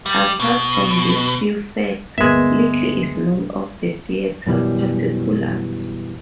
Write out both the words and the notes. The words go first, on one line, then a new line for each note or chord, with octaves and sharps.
Apart from these few facts, little is known of the theatre's particulars.
G3
B2
D2 G2 G#3 A#3 B3 E5
F#2 B2 E3 G3